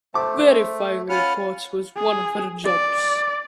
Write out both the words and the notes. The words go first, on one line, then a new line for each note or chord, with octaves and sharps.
Verifying reports was one of her jobs.
A3 C5 A5 D6
C#4 F4 F#5 B5 F6
G#4
D5